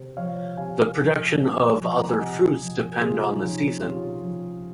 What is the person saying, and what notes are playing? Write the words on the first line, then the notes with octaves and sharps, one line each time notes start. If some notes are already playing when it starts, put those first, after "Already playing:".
The production of other fruits depend on the season.
Already playing: C3 C5
F3 C#5 F5
C3 F5 G#5
F3
C3
F3
A#5
G#5
C3 D#5 F#5
F3
A#4
C3 F4 G#4
D#4
F3 C#4 F4
C3 C#4 F4
F3